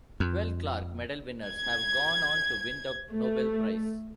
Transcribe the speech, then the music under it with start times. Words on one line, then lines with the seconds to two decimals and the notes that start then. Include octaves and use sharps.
Twelve Clark Medal winners have gone on to win the Nobel Prize.
0.20 F2
1.47 G#6
3.12 A3